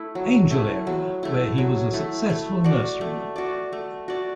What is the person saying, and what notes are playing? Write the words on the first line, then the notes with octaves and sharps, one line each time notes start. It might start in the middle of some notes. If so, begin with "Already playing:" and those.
Angel area where he was a successful nurseryman.
Already playing: A3 E4
F#3
A3 E4
F#3
A3 E4
F#3
A3 E4
A3
F#4 D5
A3
F#4 D5
A3
F#4 D5